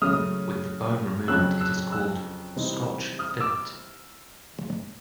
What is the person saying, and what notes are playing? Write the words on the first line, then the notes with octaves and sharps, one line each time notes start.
With the bone removed, it is called "Scotch fillet".
C#3 F#3 A3 C#4 D#6 F6
F2 C#3 F#3 E6 F#6
E6 F#6
E6 F#6
C3 E3 G3 C4 D#4
D#6 F6
D6 E6